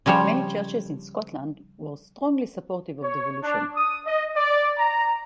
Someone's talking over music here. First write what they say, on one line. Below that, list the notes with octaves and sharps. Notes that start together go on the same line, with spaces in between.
Many churches in Scotland were strongly supportive of devolution.
C#3 F3 G3 C5 C#5
C#5
D4
D#6
D#5
D5
A#5